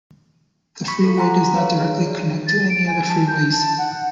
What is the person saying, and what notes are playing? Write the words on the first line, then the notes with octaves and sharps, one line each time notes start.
The freeway does not directly connect to any other freeways.
B5 C#6 B6
F4 A4
F#5 G#5 A#5 C6
B4 C#5 F5
G#4
D5
A6
D7
G#5
A5
G6
A5
F#5